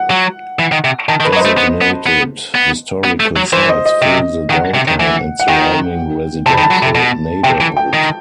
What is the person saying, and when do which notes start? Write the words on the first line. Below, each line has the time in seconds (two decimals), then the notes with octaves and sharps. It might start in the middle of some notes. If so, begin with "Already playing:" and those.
Designated historical sites fill the downtown and surrounding residential neighborhood.
Already playing: F#5
0.10 F#3
0.59 E3
0.72 D#3
0.84 C3
1.08 D#3 A5
1.20 D#3
1.25 B4
1.33 F#3
1.36 D#5
1.41 A3 C5
1.58 B3
1.81 B3
2.06 B3
2.55 B3
3.04 B3
3.20 A3
3.36 F#3
3.53 E3 C5
3.69 D#5
3.86 D#5
4.01 C3 D#5
4.50 D#3 F#5
4.75 C3
4.87 D#3
5.00 E3
5.40 F#5
5.48 D#3 G5
6.46 C3 A5
6.54 D#3 B5
6.63 A5
6.71 F#3
6.82 C3
6.95 B2
7.43 C3 G5
7.60 E3
7.77 G5
7.93 D#3